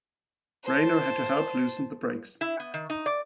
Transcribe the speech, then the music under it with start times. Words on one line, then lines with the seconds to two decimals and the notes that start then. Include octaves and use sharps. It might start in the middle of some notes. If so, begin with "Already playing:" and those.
Raynor had to help loosen the brakes.
0.64 C5 A5
2.41 E4
2.60 B3
2.74 D#3
2.90 D#4
3.06 D5